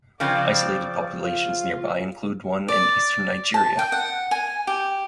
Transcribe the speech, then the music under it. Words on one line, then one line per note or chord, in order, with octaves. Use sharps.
Isolated populations nearby include one in eastern Nigeria.
C#3 F3 C4 D5
F4
D5
A5
G5
F#5
G#5
G4